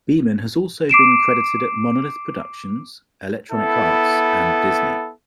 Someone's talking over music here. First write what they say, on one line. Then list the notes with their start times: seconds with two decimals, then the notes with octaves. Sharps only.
Beeman has also been credited at Monolith Productions, Electronic Arts and Disney.
0.89 D6 C7 D7 E7
3.51 B3 E4 A4